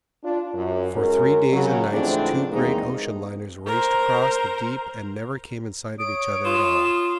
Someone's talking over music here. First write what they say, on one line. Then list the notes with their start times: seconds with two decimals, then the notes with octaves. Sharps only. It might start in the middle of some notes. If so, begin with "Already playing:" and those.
For three days and nights two great ocean liners raced across the deep and never came in sight of each other at all.
0.24 D4 F4
0.54 F#2
0.96 G#3 C#4 F#4 A#4
1.51 C#3 F#3
1.92 G#2 E3 F3 A3 C4 D4
2.52 E2 D#3 G#3 A#3 C4 D#4
3.66 A#4 C5
5.99 C#5 D#6 D7
6.44 F4 E7